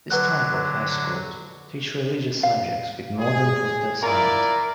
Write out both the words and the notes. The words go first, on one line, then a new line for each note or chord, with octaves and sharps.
This type of high schools teach religious subjects with modern positive science.
D3 F#3 B4 F#5 F#6
F5
G#4
E4 F4 A#4 D5 A#5